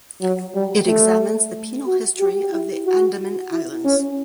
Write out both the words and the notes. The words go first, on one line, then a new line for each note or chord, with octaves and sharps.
It examines the penal history of the Andaman Islands.
F#3
G3
A3
F#4
G4
E4
F#4
E4
C#4